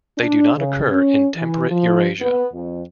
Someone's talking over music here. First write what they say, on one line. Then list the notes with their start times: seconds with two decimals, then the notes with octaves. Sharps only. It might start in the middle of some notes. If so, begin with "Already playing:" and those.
They do not occur in temperate Eurasia.
0.18 D4
0.57 C#3
0.91 C#4
1.35 E3
1.70 F3
2.21 B3
2.53 F2